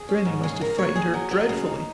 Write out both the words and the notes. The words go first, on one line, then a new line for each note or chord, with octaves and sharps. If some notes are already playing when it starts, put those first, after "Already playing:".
Grannie must have frightened her dreadfully.
Already playing: G#4
C#4
G#2
C#3 G#4
C#3 A#4
D#2 C#5
D#2 G#4
F#3
F#3
C#3
D#4